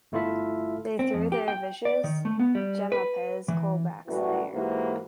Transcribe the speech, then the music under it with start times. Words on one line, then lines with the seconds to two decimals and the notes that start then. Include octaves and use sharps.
They threw their vicious Jemmapes colbacks in the air.
0.12 G1 A3 E4 F4 A4 E5
0.99 C4
1.14 F2
1.32 G4
1.48 G5
1.85 D5
2.04 D#3
2.25 A3
2.39 B3
2.55 G3
2.92 B4
3.48 E3
4.07 F#2 A2 E3 G3 F#4
4.53 G#2 E3 A#3 E4 F#4 G4